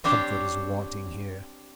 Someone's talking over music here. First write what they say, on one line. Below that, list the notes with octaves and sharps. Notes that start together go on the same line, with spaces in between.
Comfort is wanting here.
C4 D4 G4 C5 C#5